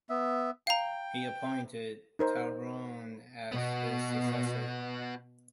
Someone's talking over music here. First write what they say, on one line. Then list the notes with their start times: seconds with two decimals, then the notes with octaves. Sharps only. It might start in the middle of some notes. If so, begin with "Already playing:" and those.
He appointed Ta'Lon as his successor.
0.10 B3 E5
0.67 F5 G5 A#5
2.19 D#4 A#4 C5
3.52 B2 B3 F#4